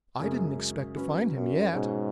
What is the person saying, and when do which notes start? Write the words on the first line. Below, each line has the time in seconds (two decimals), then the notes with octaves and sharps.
I didn't expect to find him yet.
0.20 F#2 C#3 G#3 C#4 G#4
0.97 F#3 C#4 B4
1.34 F#2
1.73 G#2 B2 G#3 C#4 F#4 C#5